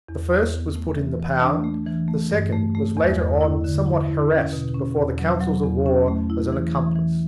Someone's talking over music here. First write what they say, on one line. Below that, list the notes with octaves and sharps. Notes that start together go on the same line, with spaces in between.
The first was put in the pound, the second was later on somewhat harassed before the councils of war as an accomplice.
E2
E2
B3
A3
E3
E3
D4
A3
E3
A3
G2
A3
A3
E2
E2
E4
D3
E4
E4
C#4
B2
C#4
E2
F#3
F#3
E2
C#4
A3
E4
E3
E3
E3